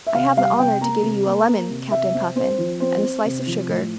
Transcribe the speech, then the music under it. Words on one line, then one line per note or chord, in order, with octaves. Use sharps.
I have the honour to give you a lemon, Captain Puffin, and a slice of sugar.
E5
C3 F5
G3 F5
C3 G5
A#3 A#5
C3
A#3
A#3
C3
C3 E5
C4
C4 C5
F3
C4 C5
C4
C3
F3
A2